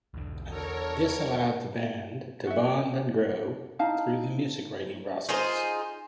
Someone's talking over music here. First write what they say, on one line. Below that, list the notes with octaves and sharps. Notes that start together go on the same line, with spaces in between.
This allowed the band to bond and grow through the music writing process.
B1 E2 D3
E2 D4 F#4 A4 A#4 C#5
F#4 E5
D#4 E4 F5 A5
D#4 F4 G#4 C5